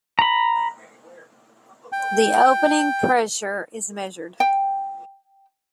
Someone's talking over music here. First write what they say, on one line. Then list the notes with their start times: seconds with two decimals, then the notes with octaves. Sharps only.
The opening pressure is measured.
0.19 A#5 B5
1.92 G5
4.40 G5